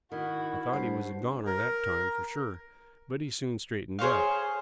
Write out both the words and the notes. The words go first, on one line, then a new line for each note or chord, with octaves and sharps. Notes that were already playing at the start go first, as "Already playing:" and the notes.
I thought he was a "goner" that time for sure, but he soon straightened up.
D#3 E4 F#4
G2 C5 A5
A#4
G#4 C5 C#5 F5